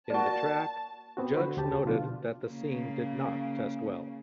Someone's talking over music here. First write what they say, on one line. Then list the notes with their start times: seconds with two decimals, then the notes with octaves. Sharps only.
In the track, Judge noted that the scene did not test well.
0.10 A#3 F#4 D5 A5
1.17 B3 C4 F#4
1.34 D3 F#4 B4 C5
1.57 D2 G4 A5
1.85 B2 D3 F3 D4 F4
2.45 C#3 A#3